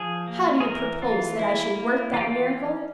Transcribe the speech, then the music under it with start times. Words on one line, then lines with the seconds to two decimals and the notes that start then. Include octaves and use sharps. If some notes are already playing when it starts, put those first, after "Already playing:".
'How do you propose that I should work that miracle?'
Already playing: F3 G#4
0.28 A#3
0.60 G#4
0.64 E3 A#4
1.02 E3 F4
1.39 A#3 E4
1.76 A#3
2.13 E3 F4
2.21 G4
2.27 F4
2.50 C#4